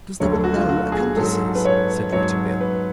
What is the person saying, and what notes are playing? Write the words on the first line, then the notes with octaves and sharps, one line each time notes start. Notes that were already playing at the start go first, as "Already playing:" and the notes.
"Because there were no accomplices!" said Rouletabille.
D2 D3 F#3 C#5
A4
F#4
F4
F#4
G#4
G#2 F#3 A4
B4
C#5
G#2 F#3 C#5
B4